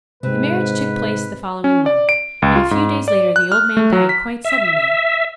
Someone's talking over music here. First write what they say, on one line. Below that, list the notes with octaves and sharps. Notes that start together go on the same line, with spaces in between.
The marriage took place the following month, and a few days later the old man died quite suddenly.
G#2 C3 G#3 C4 B4
C#4
D5
D7
C#2
F4
G#2
D5
F#6
F6
A3
F#3
B6
E5